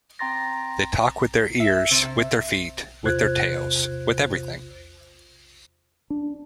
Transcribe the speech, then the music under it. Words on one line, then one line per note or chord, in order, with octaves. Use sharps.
They talk with their ears, with their feet, with their tails — with everything.
C4 G5 A#5 C6 A6 A#6
E5
C3
E2 C3 F4 C5 F#6 G#6
D4